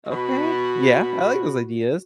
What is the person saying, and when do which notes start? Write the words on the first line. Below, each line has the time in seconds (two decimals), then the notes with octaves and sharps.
Okay. Yeah, I like those ideas.
0.11 B2 F#4 B5